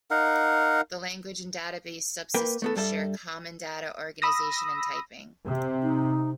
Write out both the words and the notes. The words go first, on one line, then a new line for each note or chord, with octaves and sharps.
The language and database subsystems share common data organization and typing.
D#4 A#4 F5 F#5
A#3 A#4 B4 G5
A3 B3 A4
G2 G3 A4 E5
B5 D#6 E6 A#6
C3
D#4